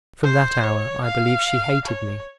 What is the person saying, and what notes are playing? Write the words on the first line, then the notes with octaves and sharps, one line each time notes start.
From that hour I believe she hated me.
C5
C#5
F5
C#5